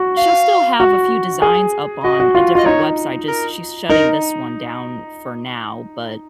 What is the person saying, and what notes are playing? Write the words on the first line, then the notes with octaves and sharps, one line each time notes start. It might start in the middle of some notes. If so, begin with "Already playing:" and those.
she'll still have a few designs up on a different website, just she's shutting this one down for now. But
Already playing: F#4
F5
F#4
G#4
F#4 D#5
F#4
F4
F4 D#5
D#4 C#5
A#4
D#4 A#4